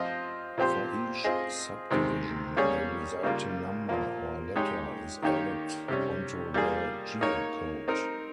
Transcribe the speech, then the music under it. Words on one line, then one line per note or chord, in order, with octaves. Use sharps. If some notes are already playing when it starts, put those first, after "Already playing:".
For each subdivision, the resulting number or letter is added onto the geocode.
Already playing: F3 C4 F4 C5 D#5
A#2 F3 C4 G4 C5
C4 F4 G#4 D#5
C3 D#3 G#3 C4
G3 A#3 C#4 G#4 C#5
C#3 G3 A#3 F4
A#2 F3 A#3
G#3 D#4 G4 C#5
D#3 A#3 D#4 G4 C#5
C3 G3 C#4
G3 A#3 F4 G#4
A#3 D#4 A#4 C#5
C4 D#4 A#4